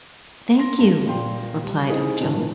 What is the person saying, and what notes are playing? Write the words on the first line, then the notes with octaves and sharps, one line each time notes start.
"Thank you," replied Ojo.
C6 A#6
G2
A#1 A#2 G5 C6
G3
C4 D#4 E4 G#4 C5
D#1 G#1 E3 D4